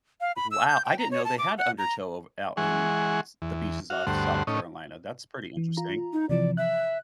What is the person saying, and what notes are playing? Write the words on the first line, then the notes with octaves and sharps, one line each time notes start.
wow. I didn't know they had undertow ov out in s the beaches off South Carolina. That's pretty interesting.
F5
B5
E6
G6
G5
A#5
C#5
A5
D6
F#5
A#5
E3 G#3 G#4 F#5 C#6
E2
F#4 F5
D2 G2 A3 C5 F#5
A2 C#4 D#4
E3
F4 A#5
D#4
C3 E3 F3 D5
E5 F#6